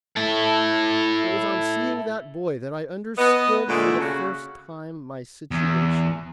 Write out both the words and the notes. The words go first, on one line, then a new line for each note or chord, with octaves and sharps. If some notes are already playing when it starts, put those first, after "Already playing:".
It was on seeing that boy that I understood, for the first time, my situation.
E4 A4
B3 D#5
A#2 D3 G#3 A3
C#3 F#4
E2